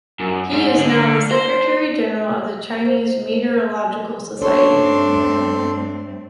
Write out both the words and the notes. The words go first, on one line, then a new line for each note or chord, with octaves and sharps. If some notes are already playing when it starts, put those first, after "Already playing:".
He is now the Secretary General of the Chinese Meteorological Society.
F#2
G#2
D3
C5
C5
G2 A3 C4 D4 A4 C#5 C6